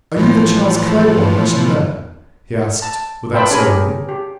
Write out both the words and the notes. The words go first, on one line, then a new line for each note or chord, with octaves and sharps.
"Are you the Charles Claybourne mentioned there?" he asked, without ceremony.
A2 E3 F3
A5
B4 C5 G5 A5 B5
C#4 G4 G#4 A#4 G#5 B5
G4
G4